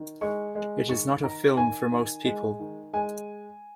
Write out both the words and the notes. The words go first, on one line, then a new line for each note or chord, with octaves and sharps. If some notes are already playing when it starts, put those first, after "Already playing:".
It is not a film for most people.
Already playing: D#3
G#3 C#6
G#3
D#3 C#6
D#3 A#5
D#3 G#5
D#3
G#3
D#3
G#3 G#5